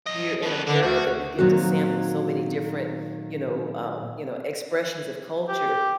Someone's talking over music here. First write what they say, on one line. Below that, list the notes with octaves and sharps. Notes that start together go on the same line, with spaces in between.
here in America that we get to sample so many different, you know, um, you know, expressions of culture,
F#2 D#5
F3 B3
D3 D4
D2 F#4
A#2 D#3 F#3 C4 F#4
G4